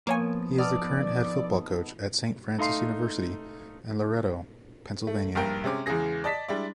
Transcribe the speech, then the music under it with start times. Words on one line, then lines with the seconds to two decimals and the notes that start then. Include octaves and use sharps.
He is the current head football coach at Saint Francis University in Loretto, Pennsylvania.
0.07 F3 A#3 B3 C#5 G#5
0.58 B3 D#4 A4 D5 F6
2.58 A3 D#4 F5 C6 C7
5.07 A3
5.35 A#1 G2 A#4 G5
5.64 C3 G#3 C#4 D6
5.86 E2 C#3 E3 G#3 G#4 A#6
6.24 D5 D#5 A5 A6 B6
6.48 G3 G#3 D4 E4 D5